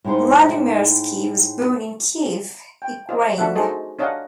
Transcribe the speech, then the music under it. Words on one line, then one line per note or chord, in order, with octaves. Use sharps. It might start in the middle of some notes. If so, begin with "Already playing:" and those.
Vladimirski was born in Kiev, Ukraine.
A2 G#3 D#4 C5
G5
F4 C5 D#5
A3 D4 F#4 A4 E5 F#5
D#4 F#4 G#4 A4 C5 D#5
D4 C#5 D#5 F5 F#5